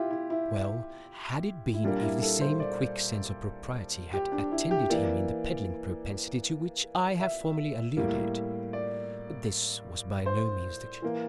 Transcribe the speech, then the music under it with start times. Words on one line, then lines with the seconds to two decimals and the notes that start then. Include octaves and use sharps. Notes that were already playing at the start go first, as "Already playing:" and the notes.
Well had it been if the same quick sense of propriety had attended him in the peddling propensity to which I have formerly alluded--but this was by no means the case.
Already playing: E4 F4 G4
0.11 E4
0.30 E4
1.74 E4
1.84 A#2 G3 A#3 D4
2.02 E4
2.22 A4
2.41 C5
2.60 D5
4.13 G4
4.32 D4
4.52 E4
4.71 G4
4.90 E3 A#3 D5
7.20 E5
7.97 A2 G3 A#3
8.73 D5
10.26 C5
11.02 E3 A#3